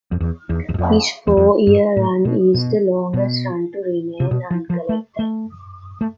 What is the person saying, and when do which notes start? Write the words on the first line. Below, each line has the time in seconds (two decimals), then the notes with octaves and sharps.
His four-year run is the longest run to remain uncollected.
0.12 F2
0.21 E2
0.49 E2
0.69 E2
0.74 G2
0.79 F2
1.27 E2
1.37 F2
1.67 G2
1.97 A2
2.25 B2
2.54 B2
3.14 B2
4.20 C3
4.31 B2
4.51 F3
4.70 F3
4.89 A3
5.19 A3
6.01 A3